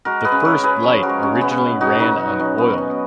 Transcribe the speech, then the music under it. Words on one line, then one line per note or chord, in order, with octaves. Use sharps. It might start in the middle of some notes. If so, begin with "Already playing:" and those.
The first light originally ran on oil.
G#3 F#4 A#4
G#4 B4
C#3
A#4 C#5
C#3
G#4 B4
F3 A#4 C#5
F#4 A#4
G#3
C#4
C#3
B3
B2
D#4 F#4
B2
D#4 F#4
F#3
F#3 C#4
B3
B2
C#4
B2